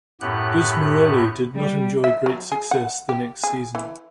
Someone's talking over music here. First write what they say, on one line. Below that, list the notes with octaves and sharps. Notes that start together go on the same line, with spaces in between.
Gusmeroli did not enjoy great success the next season.
F#2 A2 B3 G4 F#6
G3
E5
F#3
G#4
F#5
G4
G#4
E3